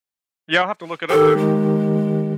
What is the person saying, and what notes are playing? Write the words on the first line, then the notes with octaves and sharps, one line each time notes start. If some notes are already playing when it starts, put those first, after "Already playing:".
Yeah, I'll have to look it up then.
D#3 G4 A4
G#3